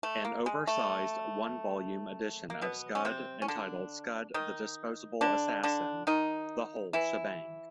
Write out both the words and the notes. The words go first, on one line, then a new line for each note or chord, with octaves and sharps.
An oversized, one-volume edition of Scud entitled Scud The Disposable Assassin: The Whole Shebang!
A3
A#3
G#3
A3
A#3
B2 B3
C#4
C3 C4
C#4
D3 D4
D#3 D#4
D3 D4
D3 D4
D#3 D#4
E3 E4